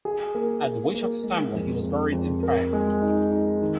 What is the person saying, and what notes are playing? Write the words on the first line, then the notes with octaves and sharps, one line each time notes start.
At the wish of his family he was buried in Prague.
G#4
A#3
G#4
A#3
G#3
F2
F2
F2
A#4
G#3
D#4
D#4
D#3